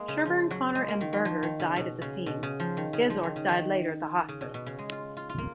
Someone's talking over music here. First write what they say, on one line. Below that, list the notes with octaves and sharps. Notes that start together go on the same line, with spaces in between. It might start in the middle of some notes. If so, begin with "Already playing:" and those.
Sherburne, Connor, and Berger died at the scene; Gezork died later at the hospital.
Already playing: G#3 A#3
C#3
F3
F#3
G#3
A#3
D#3
F#3
F3
D#3
C#3
B2
C#3
B2
C#3
F3
D#3
C#3
F3
D#3
C#3
D#3
C#3
B2
B2
C#3
G#3
F4
F4
F4
A#3